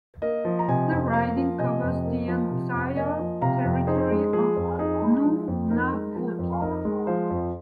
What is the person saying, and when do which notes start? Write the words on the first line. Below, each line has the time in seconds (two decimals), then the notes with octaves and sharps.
The riding covers the entire territory of Nunavut.
0.22 A#3 A#4 D#5
0.45 F3
0.59 A#5
0.68 C3 D#5 G#5
0.92 F2
1.13 A#3 F5 A#5
1.37 F3
1.59 C3 D#5 G#5
1.82 F2
2.05 A#3
2.28 F3
2.51 C3
2.74 F2
2.96 A#3 D#5 G#5
3.19 F3
3.41 C3 F5 A#5
3.65 F2
3.87 D#4 G#4 C5
4.11 G#3
4.33 F3 G#4
4.57 F2
4.79 D#4 G#4
5.02 G#3
5.24 F3
5.48 F2
5.70 D#4 A#4
5.93 G#3
6.16 F3 A#4
6.39 F2
6.53 F5
6.61 D#4 A#4 D#5
6.85 G#3
7.07 F3 C5 F5
7.30 F2